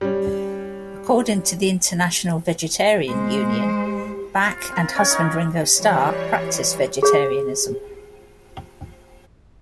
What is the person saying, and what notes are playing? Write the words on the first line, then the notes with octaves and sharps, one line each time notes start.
According to the International Vegetarian Union, Bach and husband Ringo Starr practice vegetarianism.
G3 C#4
G#3 C5
F4
C4 A#4
C#4 C#5 G5
D#4 A#4
E3 G3 C#5
G#4 C#5